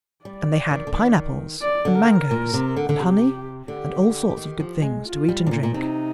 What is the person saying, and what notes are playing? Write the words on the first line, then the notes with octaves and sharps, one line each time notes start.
And they had pineapples and mangoes and honey and all sorts of good things to eat and drink.
G3 D5
D#3
D3
D#3
D5
D3
A#4
A#2
C3
D3
D3
C3 G4
D3 G4
D#3
F3
G#3
F4
G3
C3
A#2
A#2
C3 D#4